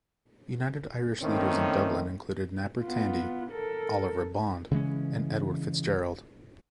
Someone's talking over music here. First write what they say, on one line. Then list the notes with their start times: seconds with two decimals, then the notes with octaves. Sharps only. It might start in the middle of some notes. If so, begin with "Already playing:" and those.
United Irish leaders in Dublin included Napper Tandy, Oliver Bond and Edward Fitzgerald.
1.22 A2 D#3 A#3 C4 C#4
2.81 B3 F4
3.51 A4 A#4
4.72 C#3 E3 G#3 C#4